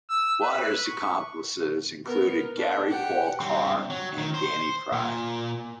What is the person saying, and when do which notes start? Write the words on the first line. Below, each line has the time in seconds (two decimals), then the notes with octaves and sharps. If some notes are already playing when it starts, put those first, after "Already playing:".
Waters' accomplices included Gary Paul Karr and Danny Fry.
0.10 E6
0.42 B4
0.85 C#6
2.05 B3 A#4
2.59 D4
2.88 G4 F#5
3.40 G2 C4
3.90 F#3
4.18 D#3
4.34 C5
4.92 A#2